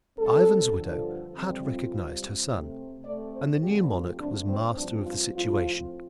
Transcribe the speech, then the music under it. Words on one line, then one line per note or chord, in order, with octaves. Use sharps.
Ivan's widow had recognized her son, and the new monarch was master of the situation.
A2 G3 C4 A4
G2 D3 F3
F2 C3 G3 C4
F4
C3 G3 C4
C3 A3 C4
C3 A3 C4 D5
C5
G2 D3 F3 A3 C4 G4
F4
G2 D3 A3 C4 D4
C4
G2 F3 C4 D4
F4
A2 F3 C4 F4